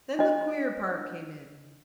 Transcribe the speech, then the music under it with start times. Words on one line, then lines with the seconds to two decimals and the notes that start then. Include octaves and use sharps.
Then the queer part came in.
0.19 D4 D#5